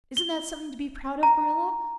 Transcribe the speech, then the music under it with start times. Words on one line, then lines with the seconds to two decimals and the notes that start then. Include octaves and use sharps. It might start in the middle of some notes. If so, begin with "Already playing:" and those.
Isn't that something to be proud of, Marilla?
0.17 G7
1.23 A#5